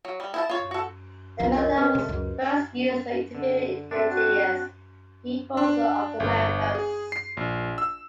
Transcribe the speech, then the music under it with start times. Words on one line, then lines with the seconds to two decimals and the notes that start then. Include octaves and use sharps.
The method was first used when interviewing indigenous peoples of the Americas.
0.05 F#3
0.20 G3
0.34 E4 C5 A5
0.50 F4 C#5
0.71 F#4 A4
1.40 C2 F2 F3
1.58 A#4 C#5 D#5
1.77 C4 B4
1.95 C3 A3
2.09 C#2 F#2
3.35 D3
3.91 C4 D4 E5
4.09 F#4
5.57 D4
6.20 G1
6.75 G#4
7.12 C7
7.37 A#1
7.78 E6